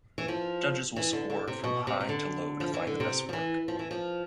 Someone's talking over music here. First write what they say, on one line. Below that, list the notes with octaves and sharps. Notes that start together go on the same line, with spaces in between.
Judges will score from high to low to find the best work.
E3
F3
E3
D3
D3
C3
B2
C3
C3
D3
F3
E3
D3
C3
F3
E3
F3
E3
F3